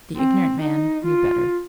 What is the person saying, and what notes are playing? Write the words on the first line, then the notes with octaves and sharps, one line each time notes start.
The ignorant man knew better.
C4
D#4
F4